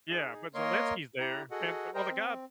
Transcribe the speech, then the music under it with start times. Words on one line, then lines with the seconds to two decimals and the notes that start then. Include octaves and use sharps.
Yeah. But Zelenski's there. And well the guy
0.10 D#4 G#4
0.54 A#3 A#4 C#5 D#5 C6
1.19 E4 G4 A#5
1.51 F#4 G#4 A4 D#5 F#5
1.94 A#4 C5 D#5 G5 A#5
2.11 C4